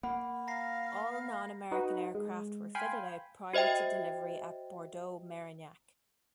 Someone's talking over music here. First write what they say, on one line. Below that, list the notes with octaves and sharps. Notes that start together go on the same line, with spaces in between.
All non-American aircraft were fitted out prior to delivery at Bordeaux-Merignac.
A#3 F#5 B5
F5 A#5 A#6 C7
D#4 F#4 B4
G#3
F5 G5 G#5 B5 C6
F#4 C5 D#5 E5 G5